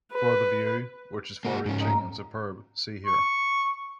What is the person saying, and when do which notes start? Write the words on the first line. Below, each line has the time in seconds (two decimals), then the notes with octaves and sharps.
For the view, which is far-reaching and superb, see here.
0.14 B4
1.45 A#3 F#4
1.66 G#2 C#4
1.81 D#4
3.06 C#6